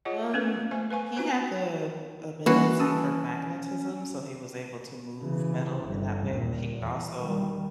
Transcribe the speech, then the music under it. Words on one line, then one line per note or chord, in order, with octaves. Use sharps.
Um, he had the ability for magnetism, so he was able to move metal in that way, but he could also
F4 G#4 C#5 D#5 F#5
B3 C#4 A4 B4
A3 C5 F5 G#5 C#6
B4 F5 G#5 C#6
D#4 F4 F#4 B4 C5
E3 G3 A#3 C#4 F#4
C#4 A5 D#6 E6
C#3 E3
G1
D#2 A#2
E2
D#3 G3